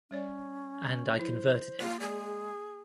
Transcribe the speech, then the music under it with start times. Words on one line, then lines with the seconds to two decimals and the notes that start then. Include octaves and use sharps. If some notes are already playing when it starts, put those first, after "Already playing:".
And I converted it.
0.11 G3 C#4 C#5 D5
1.17 F3 E4 B4 C5
1.80 A#3 F4
2.00 G#3 G#4 D5